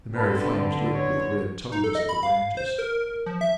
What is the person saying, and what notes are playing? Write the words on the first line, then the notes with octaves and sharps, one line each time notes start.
The merry flames licked with red tongues at the branches.
D3 C4 A4 B4 A5 B5
C#5
D#4
A4
D#5
B5
F5
C5
A#4
F3
E5